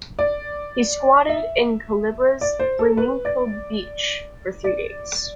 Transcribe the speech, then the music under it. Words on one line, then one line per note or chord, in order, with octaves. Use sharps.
He squatted in Culebra's Flamenco Beach for three days.
D5
E5
D5
C5
A4
B4
D5
D5